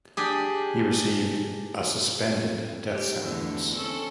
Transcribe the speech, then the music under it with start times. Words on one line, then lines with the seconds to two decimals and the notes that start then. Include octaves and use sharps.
He received a suspended death sentence.
0.17 D4 G4 G#4
2.87 G4
3.20 E2 D3 A3
3.75 C4 C#4 A4